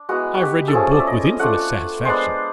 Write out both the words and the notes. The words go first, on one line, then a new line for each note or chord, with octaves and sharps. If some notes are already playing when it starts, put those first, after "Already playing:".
I have read your book with infinite satisfaction.
Already playing: D4
G#3 B3 E4 F#4
F#4
G4
A4
F3 A3 C#4 G#4
D5
E5
D#5
D#5
A3 D4 F4 F#5
G#3 B3 D4 C5